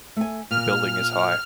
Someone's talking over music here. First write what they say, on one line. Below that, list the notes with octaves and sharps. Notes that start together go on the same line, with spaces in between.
The building is high.
A3 G#5
A#2 F6